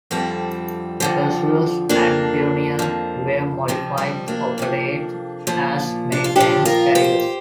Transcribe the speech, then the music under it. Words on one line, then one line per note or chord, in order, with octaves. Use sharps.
"Perseus" and "Pioneer" were modified to operate as maintenance carriers.
F2 D3 F3 G3 C4
F2 D3 F3
F2 F3 A#3 D4
F2 F3
F2 C3 F3
G3 C4
A#3 D4
F2 C3 F3
A#2 F3
D4
F4
A#2 F3 D4 G4
F4 A#4
G4 C5